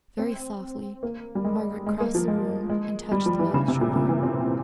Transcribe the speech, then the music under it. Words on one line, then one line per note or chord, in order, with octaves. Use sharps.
Very softly Margaret crossed the room and touched the man's shoulder.
C4
A#3
G3
G#3
G#3
A#3
F3
G#3
G#3
G3
F3
E3
C#3
C3
A#2
C#3
E3
C4